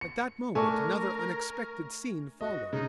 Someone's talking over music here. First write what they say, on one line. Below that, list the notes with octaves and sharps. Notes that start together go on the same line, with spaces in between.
At that moment another unexpected scene followed.
C#7
A3 D4 A#4 G#5 C#6
F#4 D#5
C#3 D#4